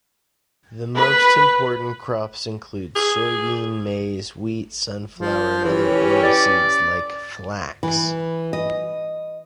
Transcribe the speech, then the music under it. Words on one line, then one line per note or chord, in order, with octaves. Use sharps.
The most important crops include soybean, maize, wheat, sunflower and other oilseeds, like flax.
B4
G#4
F3
E3 C#4 G4
D5
E3
D#5